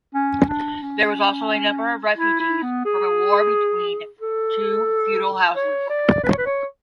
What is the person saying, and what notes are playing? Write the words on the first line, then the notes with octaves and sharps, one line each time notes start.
There were also a number of refugees from a war between two feudal houses.
C#4
D4
C#4
E4
E4
B3
G#4
A4
C#5
D5
B4
C#5
B4
C#5